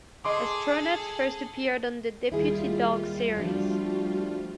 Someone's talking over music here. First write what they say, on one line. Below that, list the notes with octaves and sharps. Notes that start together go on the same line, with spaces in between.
Astronut first appeared on the "Deputy Dawg" series.
G#4 A4 D#5 C6 D6
D#2 G3 E4 F4 G#4
F3 A3 D4 F#4